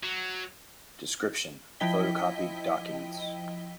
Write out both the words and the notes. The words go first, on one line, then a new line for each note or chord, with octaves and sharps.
Description: photocopied documents.
F#3
F3 E4 D#5 G5 B6 G7